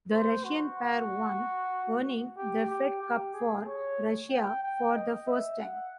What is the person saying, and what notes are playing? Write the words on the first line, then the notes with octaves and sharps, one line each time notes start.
The Russian pair won, earning the Fed Cup for Russia for the first time.
C5
F#4
G4
G4
G4
G#4
C#5
G5
G5
D#5
E5
F#5